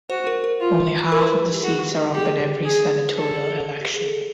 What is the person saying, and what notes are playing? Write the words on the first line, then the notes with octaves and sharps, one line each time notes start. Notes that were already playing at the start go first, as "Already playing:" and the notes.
Only half of the seats are up in every senatorial election.
F#4 C5
A#4
A#4
F4
E4 A#4
B4
A#4
G4
F#4 G#4
G4
G4 G#4
G#4
G4 A4
G#4
A4
G4
G#4
A4